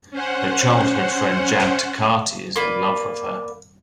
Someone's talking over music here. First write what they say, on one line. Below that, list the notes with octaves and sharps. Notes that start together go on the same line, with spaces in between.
Her childhood friend Jad Takarty is in love with her.
C#4 C5 F#5
A#3 B4 D5